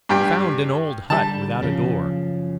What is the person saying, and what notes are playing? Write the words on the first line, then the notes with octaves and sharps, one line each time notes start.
He found an old hut without a door.
G2 G4 G5
D3 G3 A5
F#1 C#3 F3